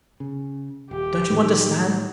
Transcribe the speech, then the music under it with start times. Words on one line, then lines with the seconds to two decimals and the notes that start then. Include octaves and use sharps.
Don't you understand?
0.20 C#3
0.91 D#1 G4
1.30 A2 D#3